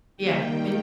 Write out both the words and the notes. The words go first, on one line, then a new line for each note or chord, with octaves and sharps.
Yeah, and
D#3 G3 A#3 G5